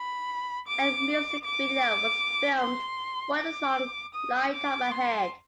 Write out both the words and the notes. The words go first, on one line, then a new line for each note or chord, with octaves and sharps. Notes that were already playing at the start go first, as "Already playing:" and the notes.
A music video was filmed for the song Light Up Ahead.
Already playing: B5
D6
D6
C6
D6
D#6
D6
C6